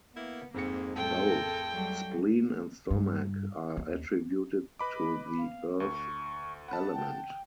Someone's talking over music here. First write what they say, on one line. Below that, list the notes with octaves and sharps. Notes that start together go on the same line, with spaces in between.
Both Spleen and Stomach are attributed to the Earth element.
A#3 B3 E4
F2 G#2 A#3 C#7
A2 G3 A3 F4 G#4 A4 G5
A#4
F#3 G3
G2
D#2
B4 D#5 B5 D6
F5
D2 C#6
F#5 A5 B5
G5